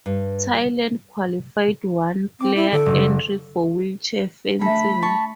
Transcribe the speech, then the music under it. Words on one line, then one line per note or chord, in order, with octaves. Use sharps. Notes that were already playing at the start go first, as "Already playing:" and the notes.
Thailand qualified one player entry for wheelchair fencing.
G2
C4 D6
E4 D7 D#7
D3 A4
F#1 C#3
A3 D4 A4 E5 B5
A5 C#6